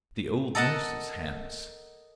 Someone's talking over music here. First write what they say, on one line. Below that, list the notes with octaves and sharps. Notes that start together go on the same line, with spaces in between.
The old nurse's hands.
A4 A#4 D#5 F#5 A5